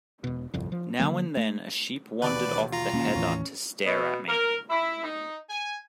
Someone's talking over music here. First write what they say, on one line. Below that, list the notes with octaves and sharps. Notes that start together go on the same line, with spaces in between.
Now and then a sheep wandered off the heather to stare at me.
E1 B2
G1 C2 F2
F3
D3 E3 F#3 A#3
A3
E1 D#2 B4 D5 D6
F4 A#5
D#1 A#3 C#4
D#2 A2 E3 C#4
B2
A#4
E4
D#4
G#5